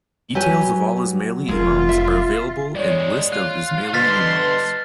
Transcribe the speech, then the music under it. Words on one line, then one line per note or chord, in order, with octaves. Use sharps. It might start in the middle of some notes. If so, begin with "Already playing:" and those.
Details of all Ismaili imams are available in List of Ismaili Imams.
F#3 G4 B4 G#5
F1 F4 G#4 A#4
E5
G2 G#3 C#5 D5
F4 F#6
D3 G3 B4 D#5 C6 F6 A6 B6